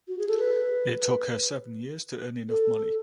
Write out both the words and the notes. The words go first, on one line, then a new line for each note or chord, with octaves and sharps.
It took her seven years to earn enough money.
F#4
G#4
A4
B4
A4